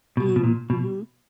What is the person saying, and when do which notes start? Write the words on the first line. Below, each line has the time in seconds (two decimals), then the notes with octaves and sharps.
Mm, mhm.
0.17 B2
0.36 B2
0.44 A#2
0.70 B2